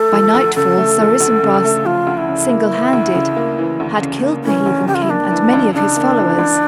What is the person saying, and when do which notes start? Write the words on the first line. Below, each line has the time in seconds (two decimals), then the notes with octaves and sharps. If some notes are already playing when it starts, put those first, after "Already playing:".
By nightfall Sir Isumbras, single-handed, had killed the heathen king and many of his followers.
Already playing: A3 A4
0.12 F3
0.34 D2
0.55 C#3 A4
0.77 A3
0.99 F3
1.20 D2
1.43 C#3
1.64 A3
1.85 F3 F4
2.07 D2
2.18 E4
2.28 C#3
2.50 A#3
2.72 E3
2.93 D2
3.15 C#3
3.36 A#3
3.58 E3
3.80 D2
4.01 C#3
4.23 A#3
4.44 E3 C#4
4.66 D2
4.87 C#3 G4
4.94 F4
5.02 E4
5.09 A#3 D4
5.31 E3
5.53 C#2
5.74 C#3 D4
5.96 A#3
6.18 E3
6.39 C#2